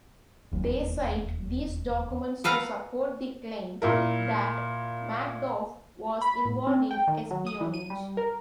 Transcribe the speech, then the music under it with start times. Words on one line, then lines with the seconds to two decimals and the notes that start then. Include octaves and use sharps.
They cite these documents to support the claim that Magdoff was involved in espionage.
0.51 E1 D#2
2.44 A4 B4 F5 F#5 A#5
3.82 A#2 E4 A#4
6.22 B5
6.45 A2
6.67 C4
6.91 G5
7.08 D#3
7.31 F#3
7.47 D#6
7.61 E3
7.74 D#7
7.90 G3
8.17 A#4